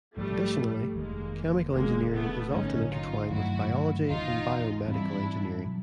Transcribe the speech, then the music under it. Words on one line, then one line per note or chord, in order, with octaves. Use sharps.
Additionally, chemical engineering is often intertwined with biology and biomedical engineering.
A#1 G#2 F3 G3 A3
F1 D#2 D#3 G#3 A#3
E1 E2 C#3 G#3 A#3
A3 B3
G#1 F#2 D3 C#4 D#4
D#4 F4
G2 D#3 F#3 A3 E4 F#4
F#1 E2 C#3 D#4 F4
G#2 E3 G3 C4 D4 E4
B2 F#3